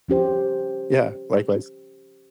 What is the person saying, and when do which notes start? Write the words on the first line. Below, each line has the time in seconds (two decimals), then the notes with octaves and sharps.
Yeah, likewise.
0.08 F3 C#4 G4 C5